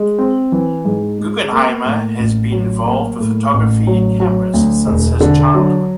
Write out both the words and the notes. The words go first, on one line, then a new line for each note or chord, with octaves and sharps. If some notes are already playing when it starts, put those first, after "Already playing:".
Guggenheimer has been involved with photography and cameras since his childhood.
Already playing: G#3
C4
E3
G#2
G#3
A#3
A2
A1
F#3
A#3
A2
A1
F#3
F#3
D2
E1
D3
F#3